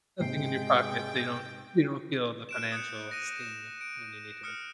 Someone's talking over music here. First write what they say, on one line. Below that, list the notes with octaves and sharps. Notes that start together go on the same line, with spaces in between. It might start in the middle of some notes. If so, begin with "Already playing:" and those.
something in your pocket so you don't you don't feel the financial sting when you need to relax.
G#2 C3 G#3 G5 C7
F#6 D7 E7
D#6 F#6 G6 C#7
A#6 D#7
E7
D7
D#6 F6 F#6 C#7